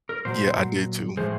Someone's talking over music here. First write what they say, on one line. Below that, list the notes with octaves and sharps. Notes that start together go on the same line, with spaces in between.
Yeah, I did too.
A#4
A#2 F#3 C5
A2 F3 G#3 C5